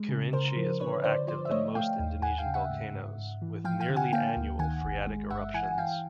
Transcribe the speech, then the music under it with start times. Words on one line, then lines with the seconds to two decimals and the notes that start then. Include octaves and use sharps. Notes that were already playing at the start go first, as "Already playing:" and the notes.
Kerinci is more active than most Indonesian volcanoes, with nearly annual phreatic eruptions.
Already playing: G#3
0.09 C#3
0.33 C#3 A#4 C5
0.57 F3
0.80 D3 B4 C#5
1.04 D3 C5 D5
1.27 F3 C5 D5
1.45 E5
1.51 A3 C#5 D#5
1.75 A3 F5 G5
1.99 D#2
2.22 D#2 F#5 G#5
2.38 F5 G5
2.46 C#3
2.54 E5 F#5
2.70 G#2
2.94 G#2
3.18 G#2
3.42 E3
3.64 F3 F5 G5
3.81 F5 G5
3.89 D3
3.96 F#5 G#5
4.13 A#3 F5 G5
4.37 D2
4.59 D#3 F#5 G#5
4.83 G1
5.07 G#3
5.30 G1 E5 F#5
5.54 E3 F#5 G#5
5.78 E3 F5 G5